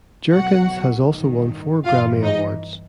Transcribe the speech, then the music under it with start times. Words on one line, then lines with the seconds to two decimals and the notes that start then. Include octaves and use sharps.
Jerkins has also won four Grammy Awards.
0.33 B1 B2 F#3 F#4 F#5
1.09 A1 G2 D#3
1.85 G1 G2 E3 F4 F5
2.23 D#4 D#5